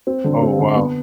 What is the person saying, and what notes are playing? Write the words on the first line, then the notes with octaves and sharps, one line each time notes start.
Oh, wow.
C4
D3
C4
D3
B3